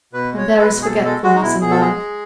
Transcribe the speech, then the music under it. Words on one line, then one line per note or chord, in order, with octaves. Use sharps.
And there is forgetfulness in life.
B2 B4
G#3
C#5
G#3
A4
B4
B2
G#4
B2 A4
G#3 A4
G#3 F#4
D#4
B2 E4
B2 G#4
A4
G#3 G#4
G#3